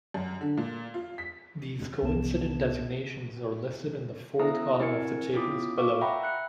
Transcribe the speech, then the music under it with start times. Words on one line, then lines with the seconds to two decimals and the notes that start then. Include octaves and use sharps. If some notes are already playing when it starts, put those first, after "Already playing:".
These coincident designations are listed in the fourth column of the tables below.
0.14 F#2
0.41 D3
0.57 A#2
0.94 F4
1.18 B6
2.01 G1 C2 C3 B3 A5 E7
4.39 B3 E4 C5 E5 A#5 D#6
4.80 C4 E4 A#4 G#5 G#6 C#7
5.33 B3 C#4 E4 F4 D6 D#6
5.78 F5 C#6 D6
6.01 E5 F#5 G5 A#5 B5
6.22 E5 F#6 C#7